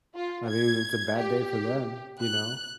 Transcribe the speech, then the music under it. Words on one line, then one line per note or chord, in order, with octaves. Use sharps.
I mean, it's a bad day for them, you know,
F4
G#6
G4
F#6